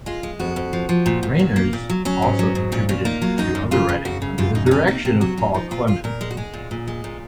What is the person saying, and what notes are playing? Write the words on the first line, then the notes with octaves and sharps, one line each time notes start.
Reiners also contributed to other writings under the direction of Paul Clemen.
G#3 F4
G#3
F2 F#4
F2
F3
F3
A#2
A#2
F#3
A#3
A#2
F#3
F#3 C#4
G#2
F#3
G#2
A#2 C#4
A#2 C#4
A#3 D#4
F#3 F4
F#2 D#4
F#2
C#3 F4
C#3
F#2 F#4
C#3
F#2 F4
C#3 D#4
D#4
C3 C#4
A#3 D#4
C3
F#3 F#4
A#2 C#4
F3 D#4
A#2 F4
A#2 F4
A#2 A#4
G#3
F#4
G#3 G#4
A#2
A#2
G#3
A#2